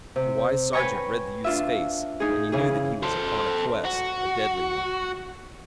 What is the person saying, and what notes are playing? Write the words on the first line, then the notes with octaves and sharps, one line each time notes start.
The wise sergeant read the youth's face, and he knew that he was upon a quest, a deadly one.
C3
B4 C#5 G5 G#5 A#5 C#6
D4 F4 E5
D#4 G#4
C#3 E3 G#4
A4 C5
F#4